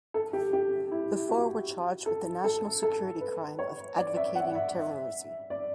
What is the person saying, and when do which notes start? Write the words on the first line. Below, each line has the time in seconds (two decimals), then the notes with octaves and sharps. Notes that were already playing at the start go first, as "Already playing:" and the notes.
The four were charged with the national security crime of "advocating terrorism".
0.14 A4
0.33 G4
0.53 G4
0.91 E4
1.29 F#4
2.06 A4
2.44 A4
2.83 A4
3.21 B4
3.59 C#5
3.97 D5
4.16 E5
4.35 F#5
4.55 E5
5.50 D5